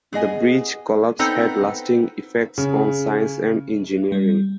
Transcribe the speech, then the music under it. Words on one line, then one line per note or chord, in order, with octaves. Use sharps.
The bridge collapse had lasting effects on science and engineering.
B3 G#4 D#5 G#5
B3 C4 D#4 A4 C5
C#3
G3